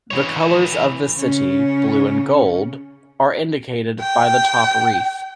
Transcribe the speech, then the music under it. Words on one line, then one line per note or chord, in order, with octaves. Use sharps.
The colours of the city, blue and gold, are indicated by the top wreath.
E3 C#5
C#3 C#4
G5